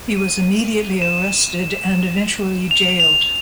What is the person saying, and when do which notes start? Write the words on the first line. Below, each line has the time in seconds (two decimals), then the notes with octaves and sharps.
He was immediately arrested and eventually jailed.
0.17 D#7
1.02 E7
2.71 F7
3.00 F7